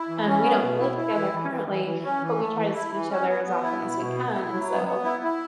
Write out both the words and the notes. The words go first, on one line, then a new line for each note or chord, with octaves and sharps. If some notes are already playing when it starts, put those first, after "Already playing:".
and we don't live together currently, but we try to see each other as often as we can, and so
Already playing: E4
E3
C#4
B3
B2
E4
E4
E3
E3
E3
E3
E3
C#4
E3
A3
E3
E4
E3
C#4
B3
B3
E4
B2
B2
B3
E4
F#3
B3
B3
E4
E4